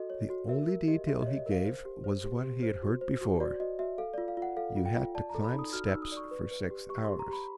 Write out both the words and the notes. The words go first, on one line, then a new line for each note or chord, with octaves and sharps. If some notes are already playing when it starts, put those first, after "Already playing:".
The only detail he gave was one he had heard before, "you had to climb steps for six hours."
Already playing: F#4 A4 D#5
C#5
F#4
A#4 E5
A#4
G4 D#5
G4 E5
D#5
C#5
D#5
A#4
F5
C5
G4
C5
G4
G4
C5
F#4
C5
F#4
F#4 D5
F#4 D#5
F#4 E5
A4 F5
D5
F4
F5
F4 F#5
A4 F5
F4
G5
F4
D5 A5
A#5
A4
B5
D#4
D#6
F#4 F6
E6
D#4
D#6
D5 C#6
B4
B4
G4
G4 C#6
C6
G4
A#5
G4 B5